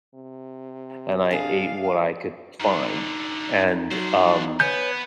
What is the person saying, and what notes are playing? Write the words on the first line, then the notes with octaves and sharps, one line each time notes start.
and I ate what I could find, and, um
C3
D4 G#4 F5
F#2 D3 D#4
F#3 D4 C5
B3 B4 C#5 G#5 G6 C#7